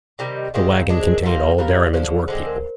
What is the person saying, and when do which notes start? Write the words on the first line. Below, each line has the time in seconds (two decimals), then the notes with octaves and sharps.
The waggon contained all Derriman's workpeople.
0.19 C3 D#3 G3 D5
0.37 D#5
0.54 D#3 G#3 C4 G4 F5
0.71 F5
0.89 G#3 D4 G#4 D#5
1.00 C5
1.12 A#4
1.23 D3 G3 A#3 F4
1.58 G3 C4 F4 A#4 C5
1.76 D5
1.93 D3 F3 G#3 C5
2.10 G#4
2.28 D3 G#3 C4 C5
2.46 A#4